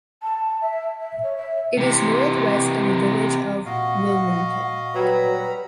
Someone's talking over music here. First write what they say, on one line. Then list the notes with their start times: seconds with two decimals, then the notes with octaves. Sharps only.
It is northwest of the village of Wilmington.
0.22 A5
0.62 E5
1.01 E5
1.23 C#5
1.37 E5
1.77 C3 E3
3.66 A#2 F#4 D#5 F5 F#5
4.95 F#3 G3 B4 A#5 B5